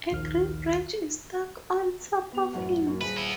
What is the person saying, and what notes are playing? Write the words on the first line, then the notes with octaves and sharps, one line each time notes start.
A green branch is stuck on top of it.
A#1 D#2 D#3 F6
B3 F7
A1 F#2 F#5
F#2 A#3
D#1 G#4 B4
B3 E4